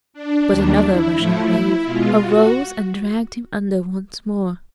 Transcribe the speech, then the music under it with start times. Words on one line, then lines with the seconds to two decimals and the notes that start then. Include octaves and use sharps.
But another rushing wave arose and dragged him under once more.
0.14 D4
0.48 D#2 D#3 G3
0.82 E4
1.16 A2 F3 A3
1.84 B2 G#3 F4
2.20 F#4